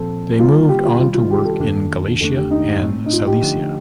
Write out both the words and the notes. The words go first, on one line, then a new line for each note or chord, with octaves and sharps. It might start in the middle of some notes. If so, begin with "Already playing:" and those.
They moved on to work in Galicia and Silesia.
Already playing: A#2 F3 C4 A4
D3 G3 A#3 F4
G4
F4
C3 D#3 G3 F4
F4
G4
A4
G4
F2 D#3 A#3 D4 A4
F2 D#3 A3 D4 A4
G4
D#4
A2 A3 C4
D#4
F4
G4
D3 F3 A3 D4